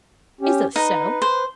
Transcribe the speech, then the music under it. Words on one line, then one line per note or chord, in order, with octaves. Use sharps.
Is this so?'
C#4 G4
D#4 B4
C5